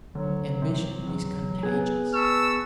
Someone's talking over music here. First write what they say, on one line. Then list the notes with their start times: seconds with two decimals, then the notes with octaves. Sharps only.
Ambition is contagious.
0.15 D2 F#3
0.62 C3
1.07 E2
1.63 B3 G#4
2.14 B4 A5 C#6 E6